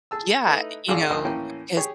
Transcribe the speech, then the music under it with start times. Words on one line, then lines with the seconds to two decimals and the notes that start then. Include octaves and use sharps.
yeah, you know, it's,
0.11 G#4 A5 E6
0.46 A3 D#4 E4 B4
0.88 G#1 F4 G#4 D5 D6
1.10 D2 F3 C5 D#5 D#6
1.25 A2 E3 A#3 C#4 G5
1.77 G4 G#4 C#5